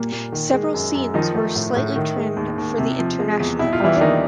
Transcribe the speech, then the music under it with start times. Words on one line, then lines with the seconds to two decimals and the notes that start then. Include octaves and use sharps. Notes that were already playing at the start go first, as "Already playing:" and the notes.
Several scenes were slightly trimmed for the international version.
Already playing: A#2 G3 A#3
0.12 A#2
0.32 D#3
0.53 G#3
0.74 F#2
0.95 F#2
1.14 D#3 F3 D#4
1.35 A3
1.56 A2
1.76 A2
1.96 D#3
2.17 G#3
2.37 D#2
2.58 D#2
2.78 C3
2.99 F3
3.19 G#3
3.40 E2
3.59 B2 E4
3.73 F4
3.80 E3 G3 E4
3.96 D4
4.00 D#3 A#3 D#4